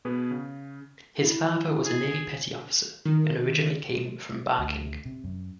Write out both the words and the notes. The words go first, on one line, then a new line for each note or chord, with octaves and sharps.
His father was a Navy petty officer, and originally came from Barking.
B2 B3 G#4 B4
C#3
E4
G#4
D#3
D2
C3
F#2